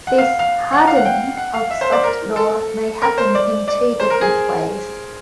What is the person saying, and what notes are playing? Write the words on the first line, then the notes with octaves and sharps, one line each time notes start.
This "hardening" of soft law may happen in two different ways.
F#5
F5
F5
F#5
F5
F#5
G5
F#5
F5
E5
C5
D5
A#4
A4
A#4
C5
D5
D5
C5
A#4
G#4